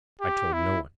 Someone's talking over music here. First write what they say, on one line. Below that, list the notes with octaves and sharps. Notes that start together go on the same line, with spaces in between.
"I told no one."
G4
E4